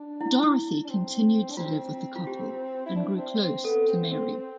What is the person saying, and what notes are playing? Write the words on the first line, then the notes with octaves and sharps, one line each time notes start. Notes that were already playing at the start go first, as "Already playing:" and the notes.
Dorothy continued to live with the couple and grew close to Mary.
Already playing: D4
E4
D4
C4
D4
C4 F4
F4
G4
E4
D4
C4
C4
B3 A4
C4
C4
C4